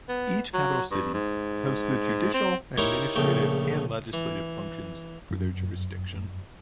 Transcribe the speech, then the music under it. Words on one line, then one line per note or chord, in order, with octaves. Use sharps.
Each capital city hosts the judicial, administrative and legislative functions for their jurisdiction.
B3
F#3
G2
G#2
C4
D#4 E4 G4 A#4 C5 C#5
A#1 C#3 A3 G5
E3
F#2